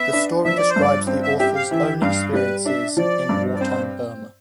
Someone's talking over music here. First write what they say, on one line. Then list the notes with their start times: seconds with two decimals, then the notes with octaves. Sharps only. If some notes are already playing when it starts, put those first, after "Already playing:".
The story describes the author's own experiences in war-time Burma.
Already playing: B3 E5
0.13 D4
0.45 F3 E5
0.57 D5
0.70 C5
0.76 G2
0.81 D5
1.07 C4
1.23 E5
1.39 G4 E5
1.55 F5
1.71 E3 E5
2.02 G2 F5
2.33 G3 B4
2.65 D4 E5
2.97 F3 D5
3.29 G2
3.55 D5
3.60 C4 C5